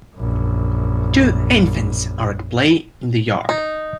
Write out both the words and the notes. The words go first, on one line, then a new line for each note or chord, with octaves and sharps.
Two infants are at play in the yard.
A#1 F#2
D#4